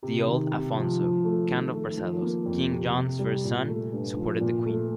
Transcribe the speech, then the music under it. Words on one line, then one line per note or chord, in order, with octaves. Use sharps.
The old Afonso, Count of Barcelos, King John's first son, supported the Queen.
C3
D#3
C3
F3
F3
A3
D#3
A3
F3
A#3
F2
C3
C3
G3
A#2
A3
G2
F3
A#2
A3